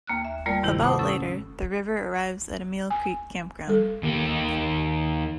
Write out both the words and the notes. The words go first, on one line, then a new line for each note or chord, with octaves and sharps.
About later, the river arrives at Emile Creek Campground.
D#2 A#3 F6 F#6
E5
G3 A3 A#3 F4 A#4 D5
G2 C3 D#3 E4
C5 F#5 A5 B5 D6 D#6
C#4 A4 D#6 E6 A6
G#5
G3 A4
D#2 A#3